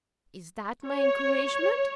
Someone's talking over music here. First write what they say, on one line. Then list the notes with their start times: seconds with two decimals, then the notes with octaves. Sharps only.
Is that my encouragement?'
0.86 C#5